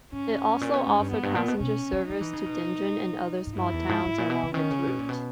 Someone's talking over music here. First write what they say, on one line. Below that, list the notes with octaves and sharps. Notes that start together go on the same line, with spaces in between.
It also offered passenger service to Dendron and other small towns along its route.
G#2 C#4
A#2
B2
G#2
G2
E2 B3
G2
A#2
B2
B2 C#4
G3
G3 D#4
E3
C#3
B2
G#2
G2 E4
E2
G#2
G#2
A#2
B2
C#3
D#3 C#4
C#3
B2
A#2
B2